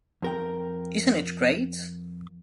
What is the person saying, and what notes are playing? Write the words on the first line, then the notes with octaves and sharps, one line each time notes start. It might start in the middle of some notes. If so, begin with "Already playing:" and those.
Isn't it great?
F2 A#4 G5